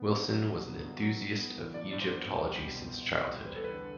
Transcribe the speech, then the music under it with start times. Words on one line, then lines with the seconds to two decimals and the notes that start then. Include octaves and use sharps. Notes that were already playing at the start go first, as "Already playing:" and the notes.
Wilson was an enthusiast of Egyptology since childhood.
Already playing: B3
0.12 G2
0.29 F#3
0.48 D3
0.67 B3
0.84 G2
1.02 F#3
1.21 G2
1.38 B3
1.57 E3
1.74 G2 D5
1.91 G2 D5
2.01 C5
2.11 B3
2.29 C2
2.46 G3
2.65 B2
2.83 B3
3.01 C2
3.19 G3
3.37 E2 C5
3.46 B4
3.56 G3 A4
3.64 B4
3.73 D3